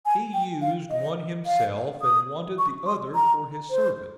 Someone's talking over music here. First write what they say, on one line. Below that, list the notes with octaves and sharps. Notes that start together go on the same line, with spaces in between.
He used one himself and wanted the other for his servant.
G#5
G5
F5
D#5
F5
D#6
C#6
C6
A#5
C5